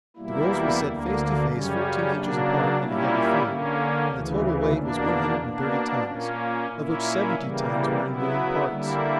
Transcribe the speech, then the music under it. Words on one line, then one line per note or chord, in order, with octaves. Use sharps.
The rolls were set face to face fourteen inches apart, in a heavy frame, and the total weight was one hundred and thirty tons, of which seventy tons were in moving parts.
E2 B2 G3 A#3 E4
D2 D3 A#3
F#2 C#3 G3 C#4
C#3 F#3 A#3 D4
A#2 G3 A#3 C#4 E4
D3 A#3 C#4
D2 C#3 E3
E2 B2 A#3 D4
B2 A#3 D4
A#2 A#3 C#4
A#2 A#3 C#4 E4
C#3 E3 G3 A#3
C#3 F#3 B3 E4
D3 G3 A#3 E4